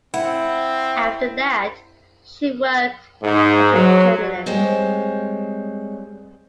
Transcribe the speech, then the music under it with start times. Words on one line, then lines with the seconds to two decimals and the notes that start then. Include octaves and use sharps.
After that she worked as a journalist.
0.14 C4 E4 F#5
3.23 G#2
3.74 F#3
4.46 G3 G#3 C4 C5 C#5